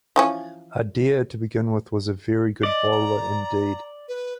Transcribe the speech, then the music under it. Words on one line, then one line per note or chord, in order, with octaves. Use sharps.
Adair, to begin with, was a very good bowler indeed.
E3 F3 C#4
D5 D#5
A#5
B4